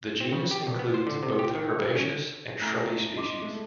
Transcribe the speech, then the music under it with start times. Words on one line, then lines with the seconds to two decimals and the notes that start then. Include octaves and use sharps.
The genus includes both herbaceous and shrubby species.
0.21 C4
0.33 C#3
0.51 G4
0.67 A#1
0.79 B3
0.94 C5
1.07 D3
1.23 C3
1.39 G4
1.55 D#3
1.79 G2
1.95 C#4
2.61 A2 A3 G#5 A#5
3.16 D#5 C6 D6
3.42 G#3 A3